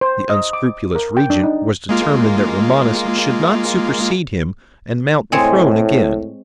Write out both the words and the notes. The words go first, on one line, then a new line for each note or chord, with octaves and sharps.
The unscrupulous regent was determined that Romanus should not supersede him and mount the throne again.
C5
D#5
D6
A#4
G5
D4
D#4
G#3 A#3 F4
A2 G#3 C4 C#5